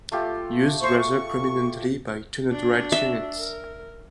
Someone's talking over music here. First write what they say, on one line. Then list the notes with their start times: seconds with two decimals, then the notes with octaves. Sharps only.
Used rather prominently by 'Tunnel Rat' units.
0.12 A3 F4 G4
0.80 C5 C#6
0.98 C#6
2.52 D4 F#4
2.92 E5
3.37 A#4